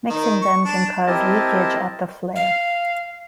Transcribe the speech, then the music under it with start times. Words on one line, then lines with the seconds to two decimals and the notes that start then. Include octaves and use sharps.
Mixing them can cause leakage at the flare.
0.10 D#3
0.42 C#6
0.65 D4
1.07 C4 E4 G4 A#4 D#5 A5
2.36 F5